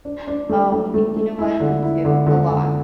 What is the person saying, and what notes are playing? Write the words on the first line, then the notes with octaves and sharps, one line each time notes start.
Oh, me you know what? Me too, a lot.
D4
D4
A3
A3
A3
A3
E4
D3
E4
D3
D3
D3